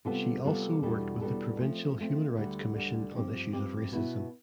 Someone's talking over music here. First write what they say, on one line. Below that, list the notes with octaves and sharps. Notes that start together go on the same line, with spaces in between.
She also worked with the provincial human rights commission on issues of racism.
C3 G3 B3 F4 A4
C3 G3 B3 F4 A4
E2 B2 G3 D4 A4
E2 B2 G3 D4 A4
F3 A3 C4
F3 A3 C4
D2 D3 G3
D2 D3 G3
G2 F3 C4 G4
G2 F3 C4 G4
B2 B3 E4